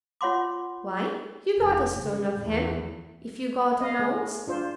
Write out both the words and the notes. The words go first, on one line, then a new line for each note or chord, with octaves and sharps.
"Why, you got a stone of him, if you got an ounce."
F4 C#5 F#5 C6 D6
F1
C#3
E2
D#5 F5
A3 G#4
D4 F4 C5